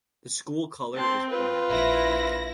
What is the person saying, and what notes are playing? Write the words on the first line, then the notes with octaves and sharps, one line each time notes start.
The school color is orange.
C4 A5 C6
F4 B4
A#1 E4 A#6